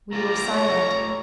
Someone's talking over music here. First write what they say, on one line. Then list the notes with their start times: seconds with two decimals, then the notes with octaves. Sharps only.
We were silent.
0.13 A3 F4 G4 A#5
0.49 C#5